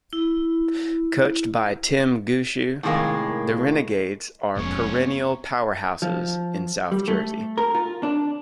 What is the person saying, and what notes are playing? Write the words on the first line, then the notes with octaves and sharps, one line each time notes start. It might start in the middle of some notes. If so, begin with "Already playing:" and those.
Coached by Tim Gushue, the Renegades are perennial powerhouses in South Jersey.
E4
A2 C3 D#3 F#3 G#3 A#3
F1 B2 G#3 C#4 C#5
F3
G3
A3
A#4
F4
D4